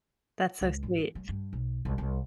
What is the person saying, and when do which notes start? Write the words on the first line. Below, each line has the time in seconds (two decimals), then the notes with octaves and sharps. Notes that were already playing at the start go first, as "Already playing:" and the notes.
That's so sweet.
0.61 C#2
0.83 G#1
0.98 E3
1.15 F#3
1.29 G2
1.53 B1
1.85 C2
1.98 C2